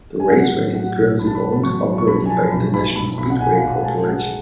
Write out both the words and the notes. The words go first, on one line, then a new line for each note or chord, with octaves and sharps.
The raceway is currently owned and operated by International Speedway Corporation.
G#5
F#3 F#5
A2
F#3 F#5
B1
B1 B5
A5
B5
A2
B5
F#3 C#6
F#3
C#6
B1 B5
G#5
F3 A5
B1 B5
B1 B5
B1 B5
B1 B5
F#5
B1 G#5
F5
B1 F#5
G#5
G#3 A5
G#3 F#5